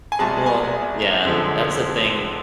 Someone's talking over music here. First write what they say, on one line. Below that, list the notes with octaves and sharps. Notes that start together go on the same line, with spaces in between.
Well yeah, that's the thing.
G#5
C2 B2 G#3 A5
G#5
F1 F2 D3 F3 G#3